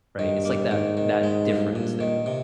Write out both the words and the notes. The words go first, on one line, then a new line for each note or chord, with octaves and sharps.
right? It's like that that difference there.
G2 D#3
A#3
G#2 D#3
D#3
G#3
G2
G2 A#2
D#3
C3